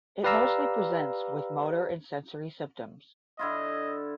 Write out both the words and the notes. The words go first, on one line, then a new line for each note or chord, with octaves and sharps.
It mostly presents with motor and sensory symptoms.
G4 B4 D5 F5 A#5 E6
D3 E4 F4 D#5